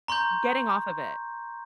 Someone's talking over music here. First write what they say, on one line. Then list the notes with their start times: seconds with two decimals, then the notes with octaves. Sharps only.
Getting off of it.
0.08 A#5 C6 C#6 G6